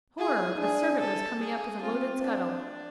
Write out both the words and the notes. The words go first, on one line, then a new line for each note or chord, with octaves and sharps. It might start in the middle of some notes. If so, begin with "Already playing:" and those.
Horror! a servant was coming up with a loaded scuttle.
E4 G#4
D4 G#4
A4
G#4
C4 F4
D4